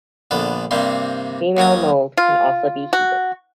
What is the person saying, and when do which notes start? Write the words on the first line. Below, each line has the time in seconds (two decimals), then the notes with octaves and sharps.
The female mold can also be heated.
0.31 A#1 D3 B3 A4
0.71 G2 C3 G3 A#3 C4
1.57 D#2 F#3 C#4 D#6
2.17 F4
2.93 F#4